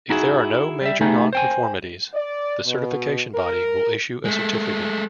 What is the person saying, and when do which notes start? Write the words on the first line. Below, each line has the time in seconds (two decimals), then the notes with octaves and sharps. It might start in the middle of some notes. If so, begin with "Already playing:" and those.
If there are no major nonconformities, the certification body will issue a certificate.
0.10 D#4 E4 F#4 G#4
0.81 G3 E5
1.01 A3 B3 D#4 G4 G#4
1.33 C5 G5 G#5
2.14 D5
2.65 B2
3.34 A#4
4.25 G#3 A3